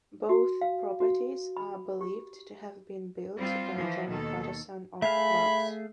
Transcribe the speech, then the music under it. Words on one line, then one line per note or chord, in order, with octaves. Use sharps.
Both properties are believed to have been built by John Paterson of Largs.
F#4
F5
F#4
B5
G4
G3 C4 F4
E3 F3
D#2 B2 D#3 A4
A3 G#4 E5 F5 B5